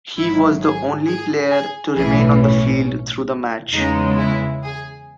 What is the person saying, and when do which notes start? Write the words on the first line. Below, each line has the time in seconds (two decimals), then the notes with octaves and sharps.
He was the only player to remain on the field through the match.
0.16 G#1 G#2 F#3 E4
0.62 G#4
1.06 G#4
1.50 G#4
1.95 B1 A2 E3 G#4
2.40 C#4
3.73 E2 C#3 G#3 D#4
4.18 E4
4.63 G#4